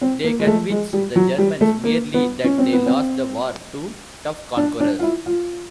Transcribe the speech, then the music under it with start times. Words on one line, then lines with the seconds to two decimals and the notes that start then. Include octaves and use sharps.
'They convinced the Germans merely that they lost the war to tough conquerors.
0.01 C4
0.24 A#3
0.40 G#3
0.47 A3
0.70 G#3
0.93 G3
1.16 F#3
1.38 G3
1.61 A3
1.84 A#3
2.14 B3
2.44 C#4
2.58 C4
2.73 B3
2.86 C4
4.57 D4
4.80 D4
4.99 F4
5.03 E4
5.26 F4